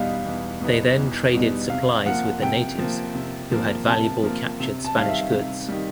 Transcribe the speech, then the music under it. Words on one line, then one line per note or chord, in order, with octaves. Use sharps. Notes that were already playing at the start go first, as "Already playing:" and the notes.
They then traded supplies with the natives who had valuable captured Spanish goods.
Already playing: E2 B2 G3 B3 D#4 F5
E2
B2 G3 B3 D#4
E2
B2 G3 B3 D#4
C3 F5
F3 A#3 F#5
C3 G5
F3 A#3
C3
F3 A#3
C3 A5
F3 A#3
C3
A5
D#3 G3 F5
E5
C3
D#3 G3